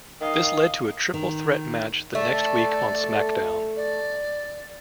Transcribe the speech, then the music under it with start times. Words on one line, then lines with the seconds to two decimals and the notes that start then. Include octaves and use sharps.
This led to a triple threat match the next week on SmackDown!
0.21 D#3 D#5 F5
1.14 D#3
2.15 A3 D5
3.76 D5